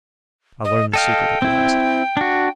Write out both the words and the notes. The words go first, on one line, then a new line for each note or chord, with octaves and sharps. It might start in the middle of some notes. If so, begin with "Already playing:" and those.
I learn the secret at last.
D#5
A4 D#5 F5 G5
C4 E4
D4 F#4